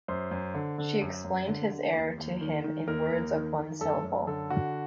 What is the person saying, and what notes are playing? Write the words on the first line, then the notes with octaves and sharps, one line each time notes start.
She explained his error to him in words of one syllable.
F#2 C5
F#2
D3
D3
F#2
F#2
D3
D3
D#2
D#2
D#3
D#3
D#2 A#4
D#2
D#3
D#3
F#2 A4
F#2
D3 A4
D3 F#4